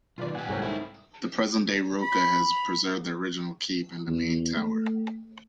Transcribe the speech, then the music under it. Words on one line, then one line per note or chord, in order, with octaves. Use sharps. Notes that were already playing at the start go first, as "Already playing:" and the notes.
The present-day Rocca has preserved the original keep and the main tower.
B1 D#3 F4 B4 D5
A#2 G4 F#5 G#5
C2 G#2 F#3 C#4 A4 C5
D#3 C4 E4
B5
E2
A3